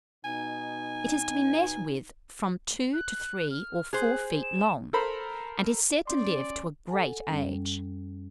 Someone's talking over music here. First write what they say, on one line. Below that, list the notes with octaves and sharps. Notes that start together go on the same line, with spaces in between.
It is to be met with from two to three or four feet long, and is said to live to a great age.
B2 D#4 G#5
F#6
F6
G#4 C5 F#6
E7
A4 A#4 C5 B5
C#4 D5 C6
A4 F#5 G#5
F#2 G3 C#4